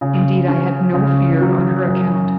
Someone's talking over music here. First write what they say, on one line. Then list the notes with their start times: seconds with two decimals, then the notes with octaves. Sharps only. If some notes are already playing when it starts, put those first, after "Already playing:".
Indeed I had no fear on her account.
0.01 C#3
0.48 C#4
0.94 C#3
1.40 F#3
1.87 F#2